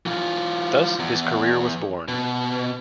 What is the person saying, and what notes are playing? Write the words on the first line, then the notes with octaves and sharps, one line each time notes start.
Thus, his career was born.
E3 F4
E2
B2